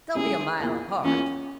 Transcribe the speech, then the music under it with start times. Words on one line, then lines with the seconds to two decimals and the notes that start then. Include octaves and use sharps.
They'll be a mile apart.
0.15 C#2 C#3 G3 C#4 E4 G#4
0.59 E2 E3 A#3 F4
1.04 E2 E3 A#3 C#4 F4